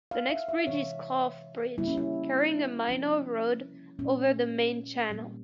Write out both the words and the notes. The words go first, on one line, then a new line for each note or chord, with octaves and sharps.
The next bridge is Clough's Bridge, carrying a minor road over the main channel.
F5
E5
E5
C3 E3 G#3 C#5
C#3 G3 A#3 E4
C#4
E4
C3 F3 A#3 C#4
A#2 G#3 C#4
A#2 G3 A#3